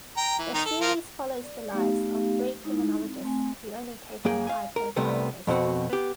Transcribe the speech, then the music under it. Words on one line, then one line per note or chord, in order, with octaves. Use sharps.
The series follows the lives of three criminologists who only take on high-profile cases.
G5 A#5
E3
D#3 D#4 A#5
A4
F3 F4 A#4
D5
A3 B3 D#4 G4 F5
G#3 D#4 E4
C4
A3 C4 G#5
F#2 A#3 G#4 G5
F5 G#5
A#4
C2 C3 G3 A3 B3
F2 B2 C4 F#4
B3 G4